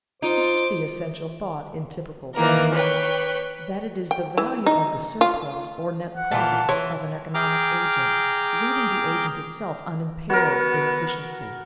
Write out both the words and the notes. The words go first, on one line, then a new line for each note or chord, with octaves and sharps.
This is the essential thought in typical rent--that it is the value of the surplus, or net product, of an economic agent leaving the agent itself unimpaired in efficiency.
D#4 F4 C5 D6
D#3 E3 A#3 A#4
B4 C#5 G5
G5
E3
D#4
F4
F#5
A#2 E3 F4 A5
E3 C#5
G#4 G5 A#5 D6 F6
B3 F#4 A#4